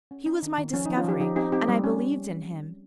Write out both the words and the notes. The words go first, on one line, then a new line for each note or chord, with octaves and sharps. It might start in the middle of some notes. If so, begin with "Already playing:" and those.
He was my discovery and I believed in him.
C#4
C#4 D#4
D#3
D#3
F3 C#4
F3 D#4
C#4 F4
F3 D#4 G4
F3 D#4 G4
C4 D#4 G4
C4 D#4 G4
G3
C#4